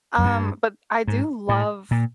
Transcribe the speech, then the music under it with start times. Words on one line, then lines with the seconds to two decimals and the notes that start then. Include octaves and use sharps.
Um, but I do love
0.18 F#2
0.24 G2
1.08 G#2
1.49 A2
1.91 A#2